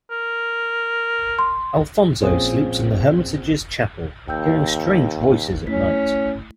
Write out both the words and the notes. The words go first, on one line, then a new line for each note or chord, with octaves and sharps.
Alfonso sleeps in the hermitage's chapel, hearing strange voices at night.
A#4
C6
A#1 C4 C#4 F4 G#4 D#6
D#2 G5 E6 G6
A3 C#4 E4 B6